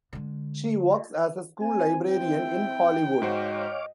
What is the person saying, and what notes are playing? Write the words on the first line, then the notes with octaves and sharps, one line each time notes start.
She works as a school librarian in Hollywood.
D3 G#3
C4 G#5
E4 G5
G#2 F#4 C5 C#5 D#5 F5 D6